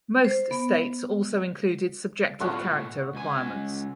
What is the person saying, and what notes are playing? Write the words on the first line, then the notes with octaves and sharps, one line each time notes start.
Most states also included subjective character requirements.
C5
B3
A2 F4 F#5 C#6
C#2 G#5